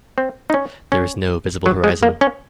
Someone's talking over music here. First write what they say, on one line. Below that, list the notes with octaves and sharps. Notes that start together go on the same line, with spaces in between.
There is no visible horizon.
C4
D#4
C#4
C#4
F#3
G#3
A#3
C#4